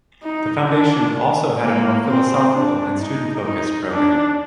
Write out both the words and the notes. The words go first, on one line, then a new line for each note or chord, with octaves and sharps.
The Foundation also had a more philosophical and student-focused program.
D#4
D4
A#3
C4
D4
D#4
D#4
D4